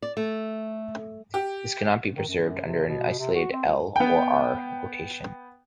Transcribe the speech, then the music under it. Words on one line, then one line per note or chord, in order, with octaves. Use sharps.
This cannot be preserved under an isolated "L" or "R" rotation.
D5
A3
G4
D#3
F#2
F#2
C3
B2
C3
F#4
C4
C#2
B3 G5